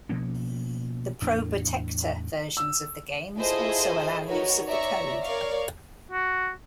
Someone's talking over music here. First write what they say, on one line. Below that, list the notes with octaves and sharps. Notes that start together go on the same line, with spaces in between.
The Probotector versions of the games also allow use of the code.
B2 F3 A#3 C#4
E2 A2 D4
E6
E4 F4 G#4 A4 C5 D#5
D#4 F#4 A#4 B4 C#5
C#5 D5 E5 A#5 C#6
A#4 C#5 D5 F5 C#6
F#4